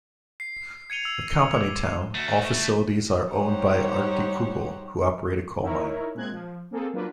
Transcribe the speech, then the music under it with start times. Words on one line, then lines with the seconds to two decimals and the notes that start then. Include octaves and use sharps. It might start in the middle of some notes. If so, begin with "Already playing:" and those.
A company town, all facilities are owned by Arktikugol, who operate a coal mine.
0.40 C7
0.90 G#6 C#7 D#7 F7 G7
1.04 E6 F7
1.32 G7
1.54 D6
2.15 A3 F#4
3.30 G3 D#4 G4 C5 C#5 F#5
5.62 D#4 E4 A#4 C#5
6.15 A#2 G#3 C4 F#6 G#6
6.32 F3
6.71 A#3 C4 G#4 A4
6.94 F#3 A#3 D4 F4 B4